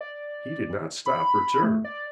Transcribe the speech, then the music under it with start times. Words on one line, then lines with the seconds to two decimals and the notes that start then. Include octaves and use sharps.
He did not stop or turn.
0.01 D5
1.06 B5
1.63 A3
1.84 D5